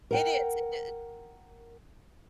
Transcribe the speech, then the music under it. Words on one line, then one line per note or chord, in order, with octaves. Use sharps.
It is, i
A#4 F#5 G5